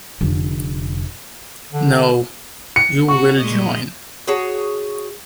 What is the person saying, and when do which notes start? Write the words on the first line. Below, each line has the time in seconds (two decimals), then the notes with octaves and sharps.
No, you will join.
0.21 F1 D3
1.72 D3
2.76 C#7
3.08 F#4 C#6
3.40 A#2 G#3 D#5
4.28 F#4 G#4 C#5 A5